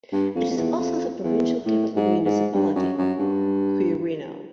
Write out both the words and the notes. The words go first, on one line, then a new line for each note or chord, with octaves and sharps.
It is also the provincial capital municipality of Quirino.
G2
F2
F2
E2
F2
E2
A2
G#2
G#2
G2
F#2
F#2
G2